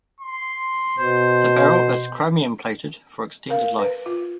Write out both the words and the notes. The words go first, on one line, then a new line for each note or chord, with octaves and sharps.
The barrel is chromium-plated for extended life.
C6
B2 C5
A#4 F5
B4
F4